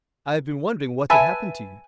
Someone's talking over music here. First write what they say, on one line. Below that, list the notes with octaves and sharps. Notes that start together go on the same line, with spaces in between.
I have been wondering what had happened to you.
B4 E5 G#5 A5